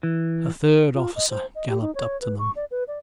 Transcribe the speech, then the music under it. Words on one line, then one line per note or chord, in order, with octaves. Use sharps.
A third officer galloped up to them.
E3
F4
D#5
C5
D#5
G4
D#4
C#5
B4
C#6
D5
B4
D5